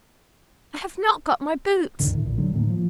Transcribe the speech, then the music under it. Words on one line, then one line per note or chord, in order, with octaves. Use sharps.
I have not got my boots!
C#2 G2 D3 D#3
A2
A#1 A#2
D3 F#3
A2 D#3 A3 A#3
F3